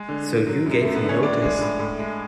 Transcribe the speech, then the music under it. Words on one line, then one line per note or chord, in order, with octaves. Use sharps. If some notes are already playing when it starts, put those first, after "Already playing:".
So you gave him notice?
Already playing: G#3
D3
D3
F#3
F#2
F#2 A3
B3
D3
C#4
A2 D4
G#3
A2
A2
G#3